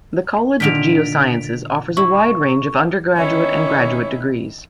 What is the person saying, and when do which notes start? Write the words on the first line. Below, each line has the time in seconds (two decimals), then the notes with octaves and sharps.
The College of Geosciences offers a wide range of undergraduate and graduate degrees.
0.60 A#2 D3 D#3 B6 D7 F7
1.97 E4 C#6
3.16 D#3 C#4 E4 C#5